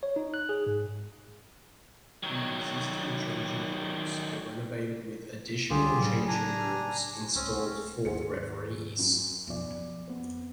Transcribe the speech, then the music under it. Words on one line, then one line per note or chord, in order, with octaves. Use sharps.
The existing changing rooms were renovated with additional changing rooms installed for the referees.
C#5
D#4
F#6
G#4
G#2
D#3 F#3
C#2 D3 G3 F4 G4 G#4
A2 C#3 F#3 G3 G#4
D4 G#5 A#5
C#2 C4 C#4
D#2 G#2 G#4 C5 C#7
F#2
B1 F2 D5
F2
B3 C4